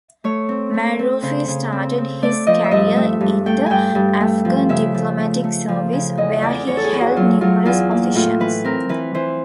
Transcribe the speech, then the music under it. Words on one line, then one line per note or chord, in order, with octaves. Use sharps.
Maroofi started his career in the Afghan diplomatic service where he held numerous positions.
A3 C#5
C4
A3
C4
C#3 C5
C#3
C4
C4
A3 D5
F3 D#5
E5
G2 D#5
A3 E5
G2
A3 G5
G2 G5 G#5
G2
A3
F3
C#3 E5
F3
A3
A3
F3
C#3
E2 D#5
E2 D5
E2 C#5
A4
G#4
E2
F#4
F#3 F4
F#3 F4
E2 F4
A#3
A2 F4
E3 B4
C4 A#4
E3 B4
E3 C5